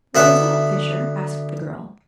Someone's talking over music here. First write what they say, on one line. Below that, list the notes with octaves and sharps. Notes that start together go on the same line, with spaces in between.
"What is that, Fisher!" asked the girl.
D2 B3 E5 F#5